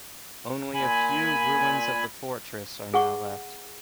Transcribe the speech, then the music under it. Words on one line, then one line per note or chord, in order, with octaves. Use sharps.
Only a few ruins of the fortress are now left.
A#2 G#5 B5
G#4 F#5 C#6